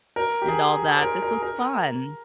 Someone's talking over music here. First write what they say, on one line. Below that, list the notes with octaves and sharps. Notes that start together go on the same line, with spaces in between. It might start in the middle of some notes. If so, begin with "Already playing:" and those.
and all that, this was fun.
A#4
G4
G#4
G#4
C5
A#4
A#4
G#4
A#4